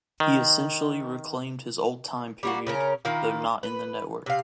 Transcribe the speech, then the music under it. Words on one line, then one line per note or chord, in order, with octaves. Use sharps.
He essentially reclaimed his old time period, though not in the network.
D#3
G3 A#3 F#4
C#3 C#4 A#4
D#3 A#3 E4 F4
B4
C3 F5